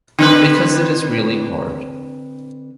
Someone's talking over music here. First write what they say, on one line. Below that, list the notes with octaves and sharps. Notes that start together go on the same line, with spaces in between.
Because it is really hard.
D3 C4 B4